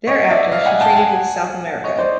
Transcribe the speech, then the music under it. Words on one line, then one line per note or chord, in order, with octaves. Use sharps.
Thereafter she traded with South America.
C#5 D#5
D5 E5
D#5 F5
F#5 G#5
G5 A5
F#5 G#5
C#5 D#5
C5 D5